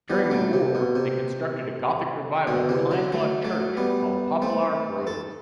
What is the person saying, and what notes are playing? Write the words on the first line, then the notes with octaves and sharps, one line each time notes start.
During the war they constructed a Gothic Revival pine-log church called Poplar Grove.
G3 B3
F#3 A3
C3
B2
C3
B2 D3
C3 E3
D3 F#3
F#3 A3
F#3 A3
G3 B3
A3 C4
A4